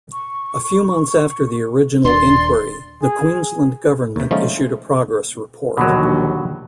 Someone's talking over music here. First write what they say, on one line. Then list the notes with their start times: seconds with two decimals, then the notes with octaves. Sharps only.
A few months after the original Inquiry, the Queensland Government issued a progress report.
0.12 C#6
2.05 D#1 D4 D5 C6
3.02 G#4
4.16 D#2 C3
4.31 F3 G#3 A3 C#4 D#4 F4
5.77 A#1 D#2 B2 D3 F#3